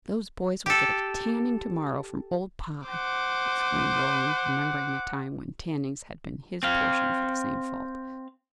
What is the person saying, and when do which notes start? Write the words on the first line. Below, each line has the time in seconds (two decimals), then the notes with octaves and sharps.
"Those boys will get a tanning, to-morrow, from old Pye!" exclaimed Roland, remembering the time when "tannings" had been his portion for the same fault.
0.66 G4 A4
2.88 C5 F#5 D6
6.63 C4 F5